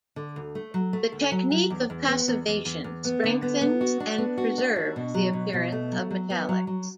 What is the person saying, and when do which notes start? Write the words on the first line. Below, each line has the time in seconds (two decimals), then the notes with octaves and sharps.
The technique of passivation strengthens and preserves the appearance of metallics.
0.16 D3
0.36 D2
0.55 A3
0.74 F#3
0.93 A3
1.12 D2
1.32 F#3
1.51 F#3
1.70 E2
1.90 E2
2.08 B3
2.28 E2
2.47 E2
2.65 E2
2.84 E2
3.05 B3
3.24 D3
3.42 B3
3.61 B3
3.81 F#4
4.00 D4
4.18 B3
4.38 F#4
4.58 D4
4.76 F#4
4.96 B2
5.14 F#3
5.33 B2
5.53 B2
5.72 A3
5.92 F#3
6.11 F#3
6.30 B3
6.49 F#3
6.67 F#3